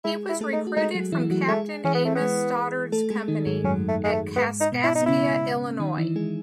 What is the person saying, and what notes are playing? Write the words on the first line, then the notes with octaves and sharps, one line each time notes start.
He was recruited from Captain Amos Stoddard's Company at Kaskaskia, Illinois.
G#3 E4 G#4
E4
A3 A4
D#4
F#4
G#3 D#4 G#4
F#3 F#4
E3 E4
F#3 F#4
G#3 A3 G#4
E3 C#4 E4
B3
A3
B3
G#3 G#4
A3 A4
G#3 G#4
D#3 D#4
G#2 G#3
F#2 F#3 C#4
A3
G#3
A3
G#2 G#3 B3
D#4
B2 B3
E4
D#4
B3
C#3 C#4 E4
D#3 D#4
E3 E4
G#3 G#4